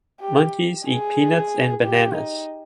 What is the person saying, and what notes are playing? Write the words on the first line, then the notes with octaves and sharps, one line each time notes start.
Monkeys eat peanuts and bananas.
G4
G#4
G4
D#4